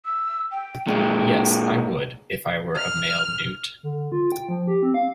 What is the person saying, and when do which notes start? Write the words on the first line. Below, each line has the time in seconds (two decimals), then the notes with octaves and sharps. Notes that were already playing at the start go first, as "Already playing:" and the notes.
Yes, I would, if I were a male newt.
0.05 E6
0.52 G5
0.87 A#2 G#3 G5
2.76 F6
3.83 D3
4.12 F4
4.32 G5
4.49 F3
4.67 G4
4.83 C4
4.94 F5